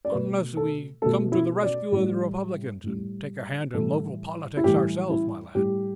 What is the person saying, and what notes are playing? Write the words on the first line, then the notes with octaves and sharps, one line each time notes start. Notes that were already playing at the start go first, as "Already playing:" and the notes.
"Unless we come to the rescue of the Republicans and take a hand in local politics ourselves, my lad."
D5
B2 A3 B4
A4
B2 A3 A4
E4
D5
A2 G3
A2 G3
A2 E3 G3 A4
E4
A2 E3 G3 G4
E4
A2 G3 G4